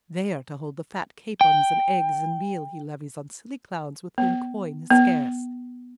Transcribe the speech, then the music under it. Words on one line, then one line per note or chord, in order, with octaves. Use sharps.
They are to hold the fat capons and eggs and meal he levies on silly clowns with whom coin is scarce.
G5
B3
B3